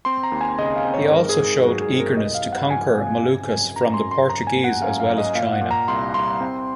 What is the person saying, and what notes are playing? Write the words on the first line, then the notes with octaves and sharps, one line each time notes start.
He also showed eagerness to conquer Moluccas from the Portuguese as well as China.
C4 C6
A#5
D#2
G#5
C#3 D#5
F5
C4
C#5
G#2 A#4
G#4
G#2
F#3 F#4
G#4
C4
A#4
C2 D#5
F5
C3
F#5
F3 G#5
C3
C#3
F#2
F#2 A#5
C6
F#2
C6
F#2 A#5
G#5
A#3
F#5
F#2 F5
F5
F#2
D#5
A#2 F5
F#5
A#2
A#5
C2 C6
C2 C6
C4